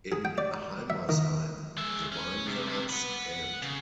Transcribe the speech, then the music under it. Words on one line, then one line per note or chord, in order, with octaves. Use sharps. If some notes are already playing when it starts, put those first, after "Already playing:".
In Heimersheim, the vineyards end.
G#4
G5
D5
E5
D#3
G#3 E5
C#4
C3
C3
F#5 B5
C#3